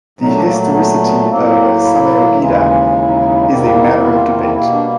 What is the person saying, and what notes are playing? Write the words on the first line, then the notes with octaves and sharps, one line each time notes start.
The historicity of Samyogita is a matter of debate.
A#2 F#3 A3 D#4
D4
A#3
B3
B3
B3
A2 F#3 A#3 C4
E4
D#2 C#3 E3 G#3
D#4
E4
D#4
E4
D#4
E4
D#4
E2 C3 D#3 G3 A#3 E4
D#4
E4
D#4
E4
F4
F4
E4
B2 G3 A#3 E4
D4